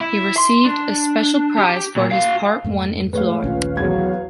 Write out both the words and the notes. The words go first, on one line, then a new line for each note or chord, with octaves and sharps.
He received a special prize for his part won in Flohr.
E4
C6
D4
G4
A#2
F#4 F5
F2 G#2 A3
A2 G#3 B4 C#5 F5
A#1 D#2 A3 C#4 F4
E2 F#3 G#6